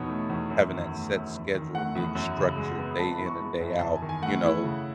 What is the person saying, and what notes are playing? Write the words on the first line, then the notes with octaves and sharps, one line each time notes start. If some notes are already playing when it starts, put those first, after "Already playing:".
Having that set schedule and being structured day in and day out, you know,
Already playing: E2 B2 D#4 C#5
A3
E2
F#2
D#3
A3
F#2
E2
D#3
A3 F#5
E2
F#2
C#3
G#3
B3
F#2 A5
B5
E3
C#6
G#3
F#2
E2 A5
G#5
D#3
G#5
A3 F#5
E4
C#3